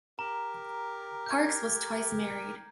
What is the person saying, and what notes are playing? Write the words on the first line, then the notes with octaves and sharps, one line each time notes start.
Parkes was twice married.
G4 A#4 A#5
G6 G#6